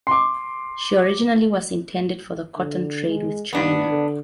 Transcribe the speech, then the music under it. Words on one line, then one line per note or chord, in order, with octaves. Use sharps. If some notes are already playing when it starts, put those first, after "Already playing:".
She originally was intended for the cotton trade with China.
C6 D6
D3
G#3
G2 B3 D4
D3